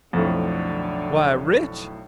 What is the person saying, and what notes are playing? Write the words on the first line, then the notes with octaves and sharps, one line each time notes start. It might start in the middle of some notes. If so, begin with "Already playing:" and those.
Why, rich?
B1 F2 A2 D3